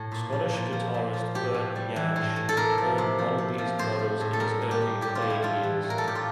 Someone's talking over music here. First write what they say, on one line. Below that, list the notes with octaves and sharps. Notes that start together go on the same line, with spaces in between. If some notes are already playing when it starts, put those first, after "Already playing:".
Scottish guitarist Bert Jansch owned one of these models in his early playing years.
Already playing: A2
A#2
F3
A#2
F3
A#2
F3
A2 G4
A2
G3
E3
A2
A2
A4
C3 A#4
F3
C3
F3
C3
F3
A2 C5
G3
A2
A4
G3 A#4
A2
G4
G3
A2 G4
F4
A2
E4
G3 F4
E3
A2
A#4
A4
A2 G4
F4